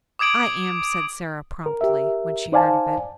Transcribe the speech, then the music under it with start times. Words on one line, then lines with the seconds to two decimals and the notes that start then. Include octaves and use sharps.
"I am," said Sara promptly, when she heard of it.
0.19 D6 D#6 G#6 D7 F#7
1.66 A#4
1.81 G4 A#4 E5
2.52 D#4 C5 D5 F5 G#5 A5